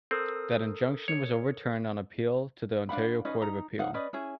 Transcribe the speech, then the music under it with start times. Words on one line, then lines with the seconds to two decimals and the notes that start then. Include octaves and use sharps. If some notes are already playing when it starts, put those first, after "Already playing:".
That injunction was overturned on appeal to the Ontario Court of Appeal.
0.11 C4 A4 A#4 D#6
1.08 C#5
2.89 D4 F5 F#5 B5
3.25 C#4 D#4 B4 D#5
3.42 D#4 A#5
3.79 D#4 F5 F#5
3.94 C#4 B4 D5 D#5
4.13 C#4 E4 G#4 C#5